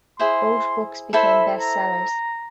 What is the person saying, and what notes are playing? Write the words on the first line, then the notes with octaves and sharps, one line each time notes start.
Both books became best sellers.
E4 G#4 C5 C6
E4 A4 C5 E5 B5
A#5